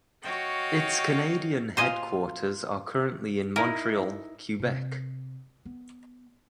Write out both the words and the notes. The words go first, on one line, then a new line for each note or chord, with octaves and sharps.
Its Canadian headquarters are currently in Montreal, Quebec.
F#4 C#5 D#5 F5 G5
A#2 F4 C5 D#5 G#5
D#4 E4 A#4
C3
B3